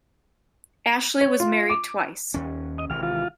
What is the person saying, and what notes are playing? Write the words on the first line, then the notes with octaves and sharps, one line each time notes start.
Ashley was married twice.
C#5
F4
D6
D#2 C#4
D#5
G#1 C3 E3 F6
F4